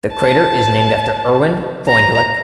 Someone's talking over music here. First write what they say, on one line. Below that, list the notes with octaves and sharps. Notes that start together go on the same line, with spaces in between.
The crater is named after Erwin Freundlich.
A5
A#5